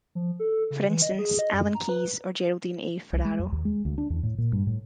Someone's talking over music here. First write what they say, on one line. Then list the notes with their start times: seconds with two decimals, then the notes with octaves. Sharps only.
For instance, Alan Keyes or Geraldine A. Ferraro.
0.15 F3
0.40 A4
0.71 C#3
0.89 E3
1.02 D#5
1.18 G#4
1.39 D#5
1.53 F#2
1.75 A#5
1.89 B4
3.13 C2
3.25 G#3
3.39 F2
3.52 D#2
3.65 G#3
3.85 D2
3.98 D4
4.10 E2
4.23 A2
4.38 A#2
4.52 G2
4.67 A2